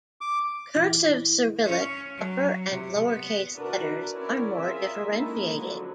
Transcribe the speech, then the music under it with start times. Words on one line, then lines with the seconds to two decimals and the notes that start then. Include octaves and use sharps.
Cursive Cyrillic upper and lower case letters are more differentiated.
0.21 D6
0.76 E3
1.65 C#4
2.16 F#3
2.68 C3
3.09 B3
3.55 D4 E4 F#4 A#4 B4
4.13 C4 C#4 E4 A#4 C#5 D5
4.57 F4 G#4 A#4 E5
5.11 G#3 A#3 C#4 D#4 E4 A4
5.54 D3 F3 F#3